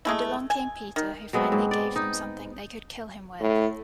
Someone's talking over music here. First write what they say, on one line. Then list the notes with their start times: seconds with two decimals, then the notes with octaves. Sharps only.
And along came Peter who finally gave them something they could kill him with.
0.05 G#3 A3 E4
0.50 G#5
0.96 D#3
1.33 F#3 G#3 B3 C4
1.52 G#2
1.71 D5
1.96 D#4
3.40 A2